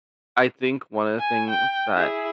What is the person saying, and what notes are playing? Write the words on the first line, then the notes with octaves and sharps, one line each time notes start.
I think one of the things that
G#5
G5
E4 G#4